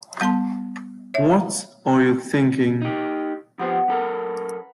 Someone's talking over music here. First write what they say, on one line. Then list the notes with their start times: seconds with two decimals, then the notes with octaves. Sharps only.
What are you thinking?
0.21 G3 B3 A5 C6
1.14 C#5 E5
2.82 D#4 G4
3.59 F3 B3 G4 C5
3.88 F#2 A4 A#4 A#5 B5